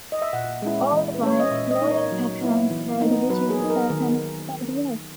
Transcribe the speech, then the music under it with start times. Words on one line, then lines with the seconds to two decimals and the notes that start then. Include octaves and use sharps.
All the while, loyal patrons held vigils out on its sidewalks.
0.12 D#5
0.22 E5
0.33 A#2 F#5
0.62 G#3 C#4 E4
0.92 E3
1.14 B4
1.22 G#3 C#4 C#5
1.39 D#5
1.51 A#2 E5
1.71 D#5
1.81 A#3 D#4
1.91 C#5
2.11 F#3
2.41 B3 E4
2.70 E3
3.00 B3 D#4
3.30 F#3 B4
3.50 G#4
3.60 A#3 D#4
3.70 A#4
3.90 D#3